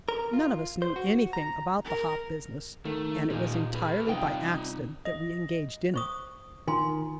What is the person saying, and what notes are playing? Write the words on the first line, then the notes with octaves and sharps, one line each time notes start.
None of us knew anything about the hop business, and it was entirely by accident that we engaged in it.
A#4
F4
C5
F#4
A#5
A#4
D#3 A3
A#2 G3 D#4
G#4 B4
C2 D#4 F4 G5
D#5
C5 C#6 D#6
D#3 F4 G#5 C6